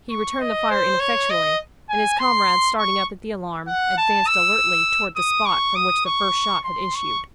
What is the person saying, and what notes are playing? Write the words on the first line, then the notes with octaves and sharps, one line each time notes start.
He returned the fire ineffectually, and his comrades, starting up at the alarm, advanced alertly towards the spot from which the first shot had issued.
C#6
D#5
C5
C#5
D#5
G#5
C6
C#6
F#5
A5
E6
D#6
C#6
D#6
C#6
C6
C#6